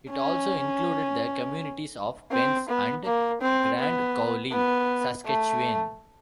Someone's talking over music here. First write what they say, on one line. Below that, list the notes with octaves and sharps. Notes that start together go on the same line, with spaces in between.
It also included the communities of Pense and Grand Coulee, Saskatchewan.
C#4
C4
B3
A#3
C4
B3
B3
A3